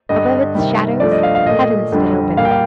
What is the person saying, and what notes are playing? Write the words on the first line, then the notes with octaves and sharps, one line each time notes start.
Above its shadows heaven stood open.
G2 D3 G3 D#5
C3 D#3 G3
G2 F3 A3 D5
D#5
F5
F5
A#2 A3 D#5
F2 D3 G3
A#2 G3 A#3 F5
G5
F5